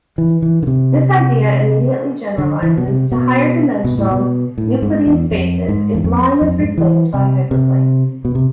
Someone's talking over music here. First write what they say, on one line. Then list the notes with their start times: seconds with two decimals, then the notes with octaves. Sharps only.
This idea immediately generalizes to higher-dimensional Euclidean spaces if line is replaced by hyperplane.
0.18 E3
0.42 E3
0.63 D3
0.67 C3
2.38 D3
2.63 E3
2.78 B2
2.88 C3
3.12 B2
3.84 B2
3.98 A2
4.11 B2
4.58 A2
4.82 G#2
5.07 E2
5.32 F2
5.68 G#2
5.95 E2
6.04 F2
6.42 F2
6.59 G#2
6.78 E3
7.14 C3
7.51 C3
8.25 B2
8.35 C3